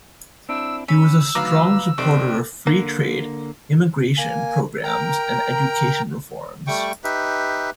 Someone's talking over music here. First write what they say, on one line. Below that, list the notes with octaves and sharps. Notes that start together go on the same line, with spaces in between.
He was a strong supporter of free trade, immigration programmes and education reforms.
C4 D4 E4 E6
C#4 B5 E6
D2 D#3 F#3 B4 F5 A#5 D6
F1 C4 G4 D5
D3 A#3
A#3 G#5
A#4 G5 A#5
G3 A3 G5 C#6
D#4 G4 B4 E5